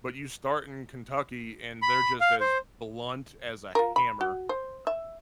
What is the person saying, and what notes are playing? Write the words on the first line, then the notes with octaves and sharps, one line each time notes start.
But you start in Kentucky, and they're just as blunt as a hammer.
B5
F5
C5
F4 A#4
B5
F#4
C5
E5